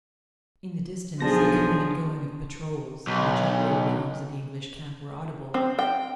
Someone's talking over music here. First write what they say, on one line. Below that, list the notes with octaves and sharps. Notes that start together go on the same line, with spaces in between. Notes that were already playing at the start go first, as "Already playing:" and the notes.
In the distance the coming and going of patrols and the general rounds of the English camp were audible.
B1 F3 D4 G#4 A5 A#6
B1
C4
G5